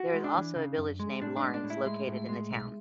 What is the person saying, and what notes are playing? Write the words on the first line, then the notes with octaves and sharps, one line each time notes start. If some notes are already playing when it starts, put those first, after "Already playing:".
There is also a village named Laurens, located in the town.
Already playing: F#4
G#3
D4
E3
C#3
F#2
G#3
A2 D4
D4
G#3
D4
A2
E4
G#3
A2
G#3
B1